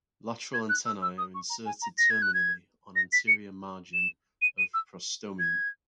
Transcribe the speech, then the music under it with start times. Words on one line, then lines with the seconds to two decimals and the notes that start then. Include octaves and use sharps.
Lateral antennae are inserted terminally on anterior margin of prostomium.
0.54 G#6
0.69 F#6
0.86 E6
1.02 E6
1.18 D#6
1.35 C#6
1.50 A#5
1.66 G#5
1.82 A#5
1.98 A#6
2.10 G#6
2.22 F#6
2.34 G#6
2.96 A#6
3.13 B6
3.28 C#7
3.94 E7
4.42 D#7
4.58 D#7
4.74 E6
5.39 G#6